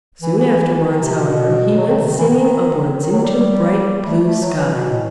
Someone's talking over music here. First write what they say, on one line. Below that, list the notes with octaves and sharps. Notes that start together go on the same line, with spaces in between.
Soon afterwards, however, he went singing upwards into the bright, blue sky.
E3
E3
E3
D#3
C3
B2
F#3
D#3
C3
D#3
E3
D#3
D#3
F#3
G3
G3
A3
A3
F#3
E3
B2
A2